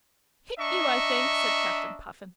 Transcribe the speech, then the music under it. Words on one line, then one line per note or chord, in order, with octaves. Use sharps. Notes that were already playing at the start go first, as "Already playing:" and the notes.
"Hit you, I think," said Captain Puffin.
D4 D#5 E5 A#5 C#6